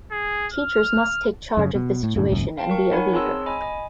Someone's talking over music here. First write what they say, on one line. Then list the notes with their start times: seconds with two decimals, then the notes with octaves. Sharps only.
Teachers must take charge of the situation and be a leader.
0.11 G#4
0.53 F6
1.57 F#2 C#3
1.75 B2
2.03 A2
2.16 F#2 A2 D3
2.29 D#1 G#1 C#2 F#2
2.57 F5 G5 A5
2.70 A#4 C#6
2.92 D#4 A#4 C#5 F#5 G#5 B5
3.13 C4 G#4 C#5 A5 C6 E6
3.46 D#5 G#5 B5
3.62 D#5 G#5